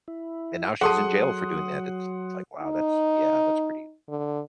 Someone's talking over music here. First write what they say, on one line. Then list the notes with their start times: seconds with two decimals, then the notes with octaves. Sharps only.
and now she's in jail for doing that, it's like, wow, that's yeah, that's pretty
0.08 E4
0.81 F#3 G#4 A4 F#5 A5 C6 D#6
2.62 D#4
4.09 D3